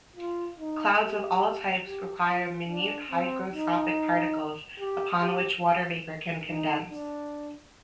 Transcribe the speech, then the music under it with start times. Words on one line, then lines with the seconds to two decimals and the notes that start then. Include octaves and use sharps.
Clouds of all types require minute hygroscopic particles upon which water vapor can condense.
0.16 F4
0.59 D#4
1.00 G4
1.85 G4
2.28 F4
2.69 D4
3.11 C4
3.53 D#4
4.79 G4
5.21 G4
6.48 D#4
6.91 D4